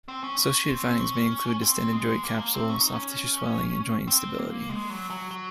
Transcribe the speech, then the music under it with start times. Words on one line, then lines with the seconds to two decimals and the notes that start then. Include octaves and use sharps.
Associated findings may include distended joint capsule, soft-tissue swelling, and joint instability.
0.08 C4
0.23 C#4
0.39 C#4
0.69 C4
1.00 C#4
1.62 C4
1.93 G#3
2.23 A#3
2.39 A#3
2.54 C4
2.70 C#4
2.81 D#4
2.93 C#4
4.07 C4
4.38 A#3
4.69 G#3
4.90 F#3
5.10 F#3
5.31 F#3